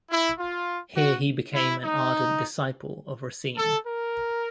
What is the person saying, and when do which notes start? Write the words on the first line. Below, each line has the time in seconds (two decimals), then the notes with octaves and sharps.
Here he became an ardent disciple of Racine.
0.11 E4
0.39 F4
0.96 F#4
1.55 E4
1.84 D#4
3.57 A4
3.87 A#4